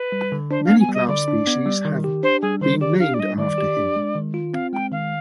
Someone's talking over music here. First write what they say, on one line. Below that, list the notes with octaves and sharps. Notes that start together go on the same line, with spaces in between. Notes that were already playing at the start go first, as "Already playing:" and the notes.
Many plant species have been named after him.
Already playing: B4
G3
D3
D4 C5
B3 F5
G#5
G3
D#5
D3 D5
D4
B3
G3
D#3
G4
D4 C5
G3 G#4
D#3 C5
G4 D5
D4 F5
D5
G3 D#5
D#3 D5
G4
D4
G#3
D#3
F4
C4 F5
G#3 G5
D#3 F5